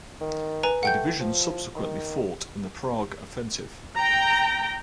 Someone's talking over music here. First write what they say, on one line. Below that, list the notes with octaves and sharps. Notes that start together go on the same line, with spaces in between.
The division subsequently fought in the Prague Offensive.
D#3
B4 G#5 A#5
A3 F#5 G5 G6
F3
D#3
G5 A#5